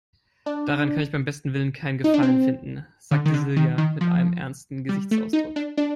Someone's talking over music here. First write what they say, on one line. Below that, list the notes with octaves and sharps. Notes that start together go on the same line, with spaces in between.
"Daran kann ich beim besten Willen keinen Gefallen finden", sagte Silja mit einem ernsten Gesichtsausdruck.
D4
D#4
D4
C4
D3
D#3
D3
D#3
D#3
F3
G3
A3
D#4
D4
D4